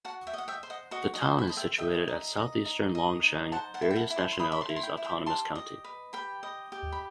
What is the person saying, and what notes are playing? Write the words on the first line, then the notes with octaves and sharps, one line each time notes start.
The town is situated at southeastern Longsheng Various Nationalities Autonomous County.
F#4 F#5 A5
E5 G5
D#5 F#5
E5 G5
C5
D#5 F#5
F#4 D#5 F#5
D#5 F#5
C5
B5
D#5 A5
E5 G5
D#5 E5 G5
D#4
D#5
D#4
D#5
D#4
C5 F#5 A5
F#5 A5
E4
G5
F#5 A5
E4
A5 C6
C6
E4 B5 D#6
B5
A5 C6
E4
C6
G5 B5
E4
G5 B5
G4 A5 C6
D#5
B4
G4 G5 B5
D#5
G4
B5